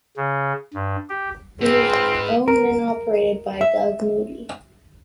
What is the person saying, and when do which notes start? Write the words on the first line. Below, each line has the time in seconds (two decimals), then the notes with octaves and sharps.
It is owned and operated by Doug Moody.
0.17 C#3
0.74 G2
1.09 G4
1.61 G#2 C4 F4 G#4 B4
2.48 A#4
3.61 E5